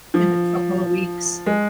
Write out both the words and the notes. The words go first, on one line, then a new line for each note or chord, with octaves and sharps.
in a couple of weeks.
F3
G#3